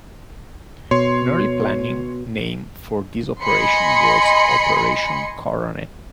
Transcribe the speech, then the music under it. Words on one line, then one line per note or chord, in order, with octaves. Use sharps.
An early planning name for this operation was Operation Coronet.
B2 C#5 C6
D#5 G#5 B5 C6 C#7